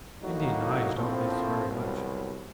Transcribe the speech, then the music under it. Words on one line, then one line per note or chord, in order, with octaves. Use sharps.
Indian eyes don't miss very much.
A2 F#3 A#3 D#4 F#4
A#1 A2 F3 A3 C4
C2 B2 F#3